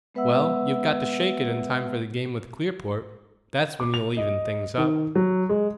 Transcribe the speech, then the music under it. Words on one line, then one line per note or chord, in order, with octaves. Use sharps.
"Well, you've got to shake it in time for the game with Clearport. That's when you'll even things up."
G#3 B3 B4 E5 F#5 E6
D6
F7
D#5
D#3
F#3
G#3